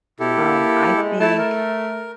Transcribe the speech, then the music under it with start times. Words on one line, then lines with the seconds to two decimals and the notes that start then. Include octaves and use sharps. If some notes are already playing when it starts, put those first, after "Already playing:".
Um, I think I
0.20 B2 E4 G4 A4
0.37 A#3
0.96 G#3
1.20 A3 E4 A5
1.38 A#4